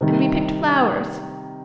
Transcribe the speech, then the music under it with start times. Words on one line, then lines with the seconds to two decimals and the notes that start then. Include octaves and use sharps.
And we picked flowers.
0.01 C3 D#3 G3